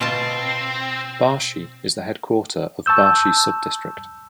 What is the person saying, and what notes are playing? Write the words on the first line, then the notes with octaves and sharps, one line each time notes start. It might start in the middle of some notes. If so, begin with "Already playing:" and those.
Barshi is the headquarter of Barshi subdistrict.
B2 C4 F4 A5
A5 C#6 E6 G6